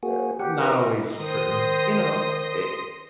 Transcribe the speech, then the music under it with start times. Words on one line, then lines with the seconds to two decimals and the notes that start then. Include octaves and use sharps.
uh, not always true. You know, it
0.03 A#3 F#4 G#4
0.40 G4 F#5
0.59 A#4 B4 A#5
0.72 D#4
1.19 D#3 C5 C6 D#6 A#6